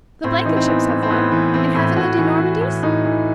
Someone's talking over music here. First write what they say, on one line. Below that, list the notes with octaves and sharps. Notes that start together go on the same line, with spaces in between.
"The Blankenships have one, and haven't the de Normandys?"
A2 C4
E3 D#4
C4
E3 B3
A2
C4
A2 B3
E3
E3 C4
A2
A2 F#4
E3
E3
A2
A2 D#4
E3